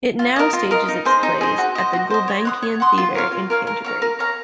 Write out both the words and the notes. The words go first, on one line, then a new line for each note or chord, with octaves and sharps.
It now stages its plays at the Gulbenkian Theatre in Canterbury.
F4
A#4 D#5
F4
A#4 D#5
D#4
G#4 C5
D#4
G#4 C5
F#4
C5 D#5
F#4
C5 D#5
C#5
F#5 C6 D#6
C#5
F#5 C6 D#6
F4
A#4 C#5 F5
F4
A#4 C#5 F5
A#4
C#5 F5 A#5
A#4
C#5 F5 A#5